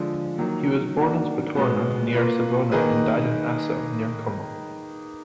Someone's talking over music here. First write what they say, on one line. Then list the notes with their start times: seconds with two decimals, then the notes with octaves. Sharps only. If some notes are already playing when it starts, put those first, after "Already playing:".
He was born in Spotorno, near Savona and died in Asso, near Como.
Already playing: D3 F3 G#3
0.38 D#3 F#3 A#3
0.96 D#3 A#3 D4 F#4
1.55 B2 G#3 B3
2.13 A#3 F4 B4
2.72 D#3 A#3 D#4 G#4 B4